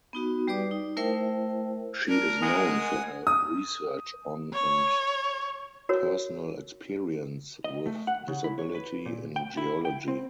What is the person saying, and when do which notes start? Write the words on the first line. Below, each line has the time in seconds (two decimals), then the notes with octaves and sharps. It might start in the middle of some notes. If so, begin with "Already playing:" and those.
She is known for her research on and personal experience with disability in geology.
0.13 B3 D#4 F#4
0.48 G3 G4 B4 D5 D6
0.71 D#4
0.97 A3 E4 A#4 C5 E5 G5
2.08 D4 A#4
2.42 G#3 F#5 G#5 D#6
3.27 D#6
4.53 C#5
5.89 F#4 A#4 C#5
7.64 D#5
7.86 A3
8.07 F#5
8.28 C#3
8.44 E4
8.59 C#5
8.75 B4
9.06 A#2
9.36 G5
9.57 E4
9.85 G5
10.08 C4